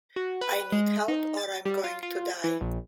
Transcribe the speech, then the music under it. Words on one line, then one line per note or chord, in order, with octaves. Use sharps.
I need help or I'm going to die.
F#4
B4
G#3
D#4
A6
G3
F4
F4
E3
A#1